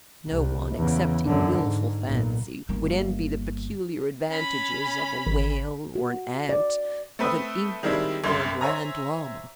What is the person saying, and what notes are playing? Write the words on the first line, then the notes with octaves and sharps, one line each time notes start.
No one, except in wilful fancy, would envy the peculiar advantages of a whale or an ant, of an Inca or a Grand Lama.
C2
E2 C#3
F#2 D3
G#2
B1 A#2
G1 A#3
C#4 B5
G#1
F#4
D5
A3 C4 B4 E5 D#6
D#3 G3 G#3 C4 D4 E4
G1 C2 F#2 C6
C5 C#5 E5 G#5 A#5